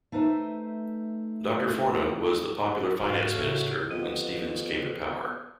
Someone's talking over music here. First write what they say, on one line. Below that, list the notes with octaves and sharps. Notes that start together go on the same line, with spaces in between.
Doctor Forna was the popular finance minister when Steven's came to power.
A3 D#4 B4 C5 E5
G#2 B2 F#4 F5
A2 C#3 A4 C#5 E5
F2 B3 G4 D#5